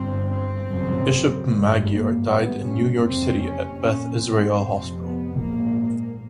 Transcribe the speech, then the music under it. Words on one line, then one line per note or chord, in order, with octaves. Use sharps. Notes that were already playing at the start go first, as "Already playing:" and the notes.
Bishop Magyar died in New York City at Beth Israel Hospital.
Already playing: G1 G2 C4
C4
G#1 F#2 C#3
G#1 G2
A#3
G#1 G2 B3
C#4
F#1 F2 C3 C4
C#4
A#1 A#2 C#4
C4
F1 F2 C3
B3
A#1 G#2 A#3